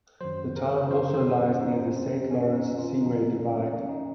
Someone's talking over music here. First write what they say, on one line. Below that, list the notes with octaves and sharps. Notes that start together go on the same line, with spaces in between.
The town also lies near the Saint Lawrence Seaway Divide.
F#2 D#3 F#3 C5
A#4
C5
C5
C#4
D#4
C4
C#4
D#4
F4
F2 C#3 F3 D#4
C#4
C#4
D#4